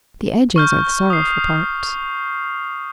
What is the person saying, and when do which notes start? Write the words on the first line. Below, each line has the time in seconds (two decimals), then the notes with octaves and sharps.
'The edges are the sorrowful parts.'
0.56 C#6 F6 G6
1.10 D#6 C7